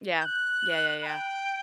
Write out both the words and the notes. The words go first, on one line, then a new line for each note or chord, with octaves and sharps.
Yeah, yeah, yeah, yeah.
G6
F#6
B5
G5